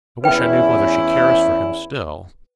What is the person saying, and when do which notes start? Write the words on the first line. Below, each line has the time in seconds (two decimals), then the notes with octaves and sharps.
I wish I knew whether she cares for him still.
0.24 E2 C#4 E4 B4 G5